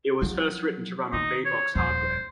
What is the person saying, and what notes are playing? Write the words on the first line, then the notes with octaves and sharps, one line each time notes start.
It was first written to run on BeBox hardware.
F3 F#3
D#3 D#4
C#5
D#1 F2 C5